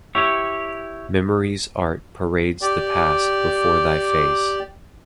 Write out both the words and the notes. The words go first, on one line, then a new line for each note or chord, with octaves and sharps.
Memory's art parades the past before thy face.
E4 G4 C#5
G4 D5